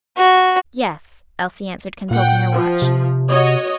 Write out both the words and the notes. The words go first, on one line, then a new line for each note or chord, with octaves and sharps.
"Yes," Elsie answered, consulting her watch.
F#4
A#2 F#5 G5
F3
C3
F#4 C#5 D#5